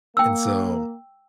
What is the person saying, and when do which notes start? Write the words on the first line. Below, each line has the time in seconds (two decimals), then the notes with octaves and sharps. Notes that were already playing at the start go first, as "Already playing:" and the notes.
And so
0.17 A#3 G5 E6